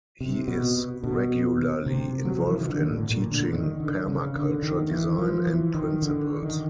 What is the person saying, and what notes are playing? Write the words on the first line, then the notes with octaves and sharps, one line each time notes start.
He is regularly involved in teaching Permaculture design and principles.
C3
B2
B2
C3
F#3
F3
E3
D#3
D3
A2
A#2
D3
D#3
D3
C#3
D3
D#3
E3
F3
E3
D#3
D3
D#3